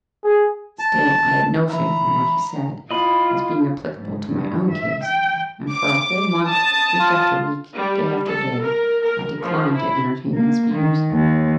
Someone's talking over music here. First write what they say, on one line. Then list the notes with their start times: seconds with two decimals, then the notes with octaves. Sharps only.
Still, I had no faith in what he said, as being applicable to my own case; and for a whole month, week after week, day after day, I declined to entertain his views.
0.24 G#4
0.79 A5
1.70 E3 E5 A#5 B5
2.91 E4 F4 D#5 B5
3.93 G#2
4.25 G2
4.69 E5
5.02 G5
5.72 D6
6.43 A5 D#6
7.00 F4
7.76 G3
8.27 A4
8.63 A#4
9.04 A#4
9.42 F3
9.74 E4
10.34 A#3
10.75 D#3
11.12 D#2